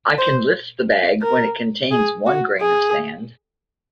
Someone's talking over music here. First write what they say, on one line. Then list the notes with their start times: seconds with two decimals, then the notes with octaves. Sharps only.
I can lift the bag when it contains one grain of sand.
0.18 C5
1.22 A#4
1.91 G#4
2.26 F#4
2.61 G#4